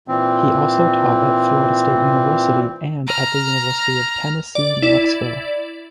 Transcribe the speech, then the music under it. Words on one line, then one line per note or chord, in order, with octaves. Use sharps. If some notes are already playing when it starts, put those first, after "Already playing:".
He also taught at Florida State University and at the University of Tennessee–Knoxville.
A#2 E3 C4
A#5 F6
D5
E4 D5